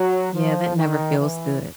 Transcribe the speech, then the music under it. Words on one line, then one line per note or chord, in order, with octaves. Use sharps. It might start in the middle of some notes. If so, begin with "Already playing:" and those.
Yeah, that never feels good.
Already playing: F#3
F3
D#3
E3